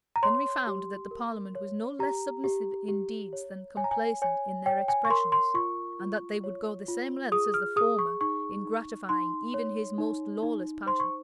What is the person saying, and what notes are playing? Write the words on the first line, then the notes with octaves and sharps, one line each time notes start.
Henry found that the parliament was no less submissive in deeds than complaisant in their expressions, and that they would go the same lengths as the former in gratifying even his most lawless passions.
A#5
C#5 C6
G4
A#4
C#5
G4 A#5
G4
G4
C#5
C#5 G#5
A#5
G#5
C#5 G#5
C#5 G5
G#5
C#6
A#4 C6
C6
F4 C#6
F4
C#5
F4
G#4 D#6
F6
G#4 D#6
C#6
D#4 C#6
D#4
D#4 C6
C#5
D#4
D#4
C5 C6
C#6